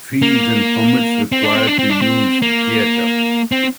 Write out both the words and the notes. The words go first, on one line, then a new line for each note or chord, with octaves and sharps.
Fees and permits required to use the theater.
A#3
C4
D4
C4
D4
C4
D4
C4
A#3
C4